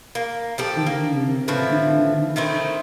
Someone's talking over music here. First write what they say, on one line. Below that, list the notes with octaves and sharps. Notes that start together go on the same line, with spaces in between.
Mhm, mhm.
A#3
F3 G4 A4
A#3
A2 E3 F3
D#3 A3 C4 E4